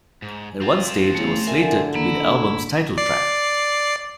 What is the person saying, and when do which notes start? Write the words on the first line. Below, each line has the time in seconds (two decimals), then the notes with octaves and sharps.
At one stage it was slated to be the album's title track.
0.22 G#2
0.61 C4 F4
1.15 C#3 A3
1.47 D3 A#4 E5 G#5
1.95 A#3 E4
2.98 D5 C7